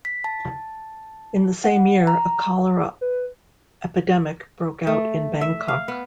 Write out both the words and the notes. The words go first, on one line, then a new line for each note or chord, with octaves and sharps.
In the same year, a cholera epidemic broke out in Bangkok.
B6
A5
F#5
A#5
B4
A3
E5
F5
B3